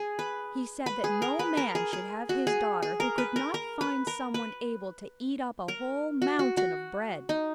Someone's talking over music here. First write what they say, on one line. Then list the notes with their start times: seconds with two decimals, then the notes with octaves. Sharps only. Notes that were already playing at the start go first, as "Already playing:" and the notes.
He said that no man should have his daughter who could not find someone able to eat up a whole mountain of bread.
Already playing: G#4
0.19 B4
0.86 B4
1.04 G#4
1.22 A#4
1.39 B4
1.57 A#4
1.75 G#4
1.93 G#4
2.29 F#4
2.47 G#4
2.82 G#4
3.00 A#4
3.18 B4
3.36 A#4
3.54 A#4
3.81 B4
4.07 A#4
4.34 B4
5.68 A#4
6.22 F#4
6.39 F#4
6.57 F#4
7.29 D#4